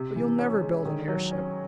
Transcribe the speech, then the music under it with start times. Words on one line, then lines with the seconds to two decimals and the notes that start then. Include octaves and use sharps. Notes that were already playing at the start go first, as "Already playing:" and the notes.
"But you'll never build an airship!"
Already playing: C3
0.16 E3
0.39 C#4
0.62 G#3
0.85 D#3
1.08 F#3
1.31 C#4